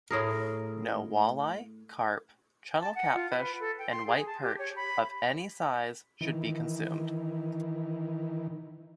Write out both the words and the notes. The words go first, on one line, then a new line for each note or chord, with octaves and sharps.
No walleye, carp, channel catfish, and white perch of any size should be consumed.
A2 G#4 A#4
A5
F#5
F4
B4
A4
G5
C6
G#4
A5
G4
C#5
B5
D#3 E3